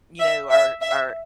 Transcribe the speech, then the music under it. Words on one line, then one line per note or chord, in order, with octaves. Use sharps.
you know, our our,
E5
E5
E5